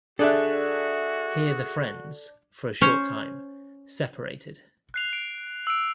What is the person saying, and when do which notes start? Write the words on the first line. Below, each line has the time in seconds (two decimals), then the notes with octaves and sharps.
Here the friends, for a short time, separated.
0.19 D4 F#4 G#4 A4 D5 E5 F#6
2.81 C#4 C5 C#5
4.94 F#6 C7 F7
5.13 D7
5.67 E6 D7